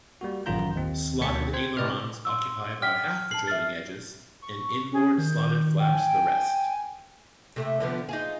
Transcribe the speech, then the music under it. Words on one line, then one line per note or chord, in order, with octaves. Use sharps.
Slotted ailerons occupy about half the trailing edges and inboard slotted flaps the rest.
G3 A#3 F#4
A1 F#2 D#3 F4 A#5 G6
D#2 C4
D2 B2 C#5 A5 B6 C#7
C4 C5 G#6
A2 C3 B4 D5 D#5 F6
C6 E6
G5 F6 B6
A5 C7 F#7
E5 F6 A6
C#6
C#4 G#4
D#3 G6
G5
G#5
C3 A3
D3 F3 B3
D#4 F4 G#4